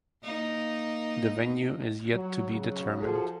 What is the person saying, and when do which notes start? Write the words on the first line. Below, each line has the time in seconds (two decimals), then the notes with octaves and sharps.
The venue is yet to be determined.
0.22 A#3 D#4
2.13 F#3
2.50 C#3 F#3
3.01 F3 F#4 G#4 A4